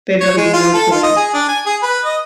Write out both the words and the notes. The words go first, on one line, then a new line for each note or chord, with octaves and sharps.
They don't no toys.
C#5
G#3
F4
A4
F4
D#5
G#4
D4
G#5
G#4
B4
D#5